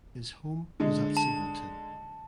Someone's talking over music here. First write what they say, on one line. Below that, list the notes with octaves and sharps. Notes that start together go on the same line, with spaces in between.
His home was at Sydmonton.
D3 G#3
A5